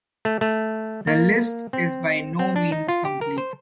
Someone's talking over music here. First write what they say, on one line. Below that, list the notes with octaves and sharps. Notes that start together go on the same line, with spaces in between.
The list is by no means complete.
A3
A3
A#3
C4
C4
D4
D#4
F4
G4
A#4
C5